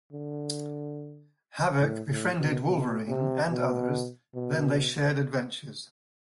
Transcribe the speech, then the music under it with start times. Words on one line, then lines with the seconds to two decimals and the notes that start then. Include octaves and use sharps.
Havok befriended Wolverine and others, then they shared adventures.
0.13 D3
1.82 A2
2.10 A2
2.39 B2
2.67 B2
3.09 C3
3.50 B2
4.35 B2